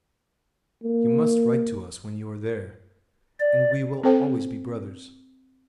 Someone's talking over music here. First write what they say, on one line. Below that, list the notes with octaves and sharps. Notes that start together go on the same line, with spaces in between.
You must write to us when you are there, and we will always be brothers....
A#3
D5
C4 A4 C5 G5